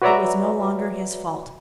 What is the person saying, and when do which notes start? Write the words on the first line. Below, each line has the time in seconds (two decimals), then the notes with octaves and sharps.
It was no longer his fault.
0.02 F#4 B4 C#5 D5 E5 A#5